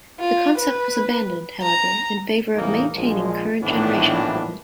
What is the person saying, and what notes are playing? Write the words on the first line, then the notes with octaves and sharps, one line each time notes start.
The concept was abandoned, however, in favor of maintaining current-generation equipment.
F4
B4
A#5
A1 E2 C3 A#3 D#4
A#1 F3 G#3
A#1 A2 D#3 E3 B3 D4